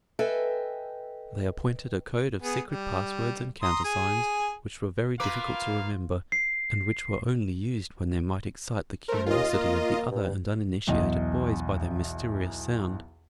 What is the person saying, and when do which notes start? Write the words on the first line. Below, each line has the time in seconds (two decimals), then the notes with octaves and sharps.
They appointed a code of secret passwords and countersigns which were very difficult to remember, and which were only used when they might excite the curiosity of the other and uninitiated boys by their mysterious sound.
0.19 A4 B4 D#5 E5 G5 G#5
2.42 B3 G#4
2.67 G3
3.62 A#5 C6 D#6
3.84 G#4 G#5
5.20 A#3 F4 A#4 B4 F5 D6
6.32 C7
9.08 A3 A#4 C5
9.26 D#2 F4 D#5
9.54 A#3
10.11 G2
10.87 B1 E2 D#5